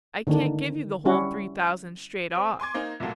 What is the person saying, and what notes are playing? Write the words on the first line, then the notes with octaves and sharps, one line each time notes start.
I can't give you the whole three thousand straight off.
D3 D#3 A#3 D4
G3 C#4 E4 F#4
C4
G#5 C6 D6 G#6
A#3 D#4 C5
C2 A#2 F#3 A3 A#3 F#5